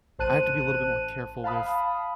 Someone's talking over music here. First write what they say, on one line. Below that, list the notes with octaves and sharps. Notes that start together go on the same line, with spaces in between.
I have to be a little bit more careful with
A1 C5 A5 F#6 D#7
F5 A5 B5 D#6